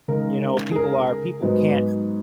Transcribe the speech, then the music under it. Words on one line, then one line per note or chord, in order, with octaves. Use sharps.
you know, people are, people can't
C#3 G#3 D#4 A#4
G#4
A#4
G#2 F#3 B3 D#4